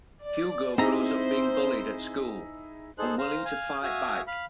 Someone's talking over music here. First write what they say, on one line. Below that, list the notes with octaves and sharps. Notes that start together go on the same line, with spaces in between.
Hugo grows up being bullied at school, unwilling to fight back.
D5
C4 D#4 E4 G#4 C5 A#5
D#4 G#4 A4 C5 F#6
C5 F5 A#5
F5 G#5
F#4 E5 F5 G#5 D#6
F5 B5